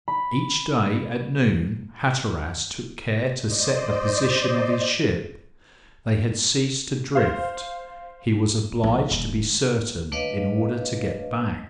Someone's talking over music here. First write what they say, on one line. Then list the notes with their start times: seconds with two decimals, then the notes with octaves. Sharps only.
Each day at noon Hatteras took care to set the position of his ship; they had ceased to drift; he was obliged to be certain in order to get back.
0.08 B5
3.43 C5 D5 D#5
7.15 C5 F5
8.83 A#1
9.11 D#1
10.12 A3 D4 B4 C#5 D#5 F5